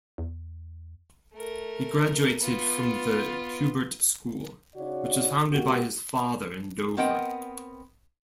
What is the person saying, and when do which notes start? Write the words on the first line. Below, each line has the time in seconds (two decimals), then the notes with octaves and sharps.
He graduated from The Kubert School, which was founded by his father in Dover.
0.18 E2
1.34 A3 A#4
2.40 B3 F4
4.76 C#3 D#4 F#4 C#5 D5
5.51 G#3 A#3 F#4 G4
6.97 B3 C4 A#4 D#5 F#5 G5